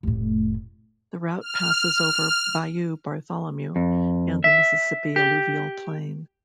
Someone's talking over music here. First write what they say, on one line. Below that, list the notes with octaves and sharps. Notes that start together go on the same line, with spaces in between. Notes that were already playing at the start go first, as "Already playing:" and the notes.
The route passes over Bayou Bartholomew and the Mississippi Alluvial Plain.
F1 A2
F6
F2
E5
G4